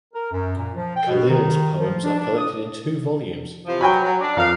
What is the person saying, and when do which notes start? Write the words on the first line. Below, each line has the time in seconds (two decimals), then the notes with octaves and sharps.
Khalil’s poems are collected in two volumes.
0.13 A#4
0.33 F#2
0.57 A#2
0.76 F3
0.96 G5
1.08 B2
1.29 D#3
1.78 F3
2.04 D4
2.19 D4
2.38 D#6
3.67 C3 E3 F3
3.81 F#3 G5 G#5 B5
4.04 F#3
4.20 D4
4.37 F2 A#4 F5